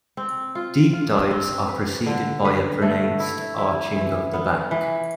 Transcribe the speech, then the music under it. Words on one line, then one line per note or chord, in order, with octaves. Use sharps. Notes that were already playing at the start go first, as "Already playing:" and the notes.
Deep dives are preceded by a pronounced arching of the back.
C4
F4
F4
C4
B4
D3
B4
A3
E4
E4
E3
B3
E3